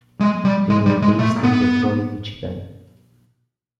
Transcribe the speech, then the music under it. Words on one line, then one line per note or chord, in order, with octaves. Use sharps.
They were based in Detroit, Michigan.
G#3
G3
G#3
G3
G#3
A3
B3